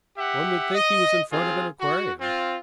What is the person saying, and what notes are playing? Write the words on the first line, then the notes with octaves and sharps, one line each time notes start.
"One would think he was in front of an aquarium!"
G4 E5 F#5
D#5
C4 F4 G#4
F#4
C4 F4